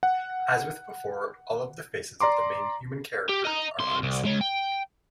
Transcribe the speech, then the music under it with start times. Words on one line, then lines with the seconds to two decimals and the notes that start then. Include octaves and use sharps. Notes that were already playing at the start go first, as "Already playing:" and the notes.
As with before, all of the faces of the main human characters are unseen.
0.03 F#5
2.20 D5 A#5 C6 D6
3.29 G4
3.45 D#5 A#5
3.79 C2 C6
4.03 C2
4.25 G#3 C#5
4.41 G5